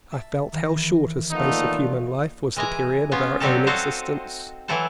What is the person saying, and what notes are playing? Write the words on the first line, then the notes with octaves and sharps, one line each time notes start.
I felt how short a space of human life was the period of our own existence.
E5 A5
D#3 E3 A#6
A#2 A3 B3 D#4 F4
E3 G#3 D#5 G#5 A#5
B3 C#4 F4
F#3 G3 C4 D#4 G4 A4
F#4 A4 C5 D#5 F5
E3 F#3 E4 A4 C5